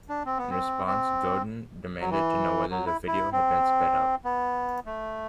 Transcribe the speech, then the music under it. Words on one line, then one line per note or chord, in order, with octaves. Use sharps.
In response, Godin demanded to know whether the video had been sped up.
D4
C4
B3
C4
C4
F#3
E3
F#3
E4
E4
C4
B3
A3